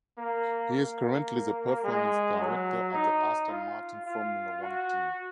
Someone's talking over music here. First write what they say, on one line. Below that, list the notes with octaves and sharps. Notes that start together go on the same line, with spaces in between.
He is currently the performance director at the Aston Martin Formula One team.
A#3
A#3
G#3
F#3
D#4
F4
F4
F#4